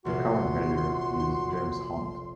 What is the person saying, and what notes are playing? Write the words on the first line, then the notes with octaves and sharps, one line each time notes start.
The current mayor is James Hunt.
F1 A#1 F#4 C6